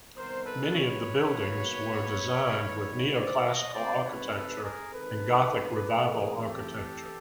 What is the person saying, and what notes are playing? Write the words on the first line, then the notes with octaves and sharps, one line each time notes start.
Many of the buildings were designed with Neoclassical architecture and Gothic Revival architecture.
C3 D#3 G3 B3 A#4 C5
A4 B4
B4 C#5
B2 F#3 A#3
D#3 G3 A#3
C5 D5
C#5 D#5
C3 D#3 G#3 C4 C5 D5
B4 C#5
A4 B4
G#4 A#4
D#3 G#3 C4 A4 B4
E3 A3 C4 G#4 A#4
G4 A4